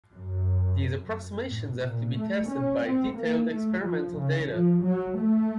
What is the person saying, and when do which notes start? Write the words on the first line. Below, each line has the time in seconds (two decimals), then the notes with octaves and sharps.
These approximations have to be tested by detailed experimental data.
0.14 F#2
1.48 A2
1.82 A#2
2.16 A3
2.49 C#4
2.83 C4
3.16 A#3
3.50 A3
3.84 F3
4.16 C#3
4.51 F3
4.83 F#3
5.17 A3